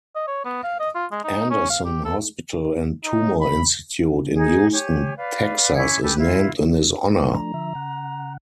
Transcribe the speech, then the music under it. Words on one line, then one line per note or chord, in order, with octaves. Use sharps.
Anderson Hospital and Tumor Institute in Houston, Texas, is named in his honor.
D#5
C#5
B3
F5
D#5
F4
G#3
D#4
C#4
F5
G4
A4
D#4
B5
D#4 G#4
G4 C#5 G#5
B4 D5 F5
C#4 E4 D6 G#6
G4 A4 B4 G#5
E4 F4
F3 A3 D4 A#5
D3 F3 E5
C#3 F#5